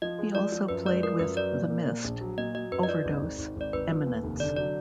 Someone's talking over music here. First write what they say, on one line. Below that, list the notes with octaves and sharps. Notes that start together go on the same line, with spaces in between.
He also played with The Mist, Overdose, Eminence.
F3 D#5
G#3
F3 D5
F3
F#2 B4
G#3 D5
F3 A#4
F#2 B4
F#3 D5
A#2
A#3
A#2
A#1
F#3
A#2 D#5
F#3 D#5
F#2 B4
D#5
F3 D5
G#1
G#1
G#1
G#1 D5
G#1 B4
F3
D#2
F1
D3 D5
F#3 D5